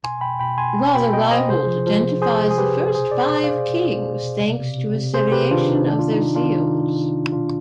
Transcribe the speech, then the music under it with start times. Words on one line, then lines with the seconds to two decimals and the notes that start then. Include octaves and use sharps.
Rather, Ryholt identifies the first five kings thanks to a seriation of their seals.
0.03 B2 G#5 C6
0.21 B2 G5 B5
0.39 B2 G5 B5
0.58 B2 G#5 C6
0.77 B2
0.94 B2 G5 B5
1.13 B2 D#5 G5
1.31 B2 C5 D#5
1.49 C3 G#4 C5
1.67 F3
1.86 F3
2.04 F3
2.22 C3 G#4 C5
2.40 C3
2.51 G#4
2.58 F3 G4 B4
2.77 C3
2.95 B2 G#4 C5
3.11 B2 D5
3.19 G#4 C5
3.32 B2
3.44 D5 F5
3.50 B2
3.68 B2
3.86 B2
4.04 B2
4.23 B2
4.41 C3
4.59 C3
4.78 C3
4.95 C3
5.14 C3 G#4 C5
5.32 C3 G4 B4
5.50 D#3 D4 F4
5.68 C3 D#4
5.87 D#3 D4
5.99 F4
6.05 D#3
6.11 D#4
6.23 C3
6.35 D4 F4
6.42 D#3
6.60 C3 D#4
6.78 C3
6.96 C3
7.15 D#3
7.32 B2 D4 F4